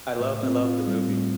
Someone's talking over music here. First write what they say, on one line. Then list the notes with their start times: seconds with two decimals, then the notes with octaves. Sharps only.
I love I love the movie.
0.21 A2
0.43 C4
0.65 F4
0.87 G3
1.08 A2